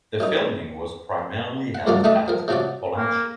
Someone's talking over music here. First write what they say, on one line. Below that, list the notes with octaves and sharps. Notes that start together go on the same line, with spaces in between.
The filming was primarily held at Pollachi.
F#2 D#4
F#5
C2 F#2 F3 D4 D5 F5
A3 D4 D#4 D#5 E5
F3 A#4
C3 F3 C#4 F#4 D5
A#3